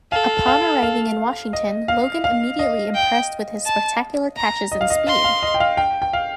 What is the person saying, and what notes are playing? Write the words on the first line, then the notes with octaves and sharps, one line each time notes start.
Upon arriving in Washington, Logan immediately impressed with his spectacular catches and speed.
A4 F5
F5
F5
D#5
F5
F5
D#5
G5
A5
A#5
D#5
F5
D#5
F5 C6
F5
D#5
G5
F5
G5
G5
F5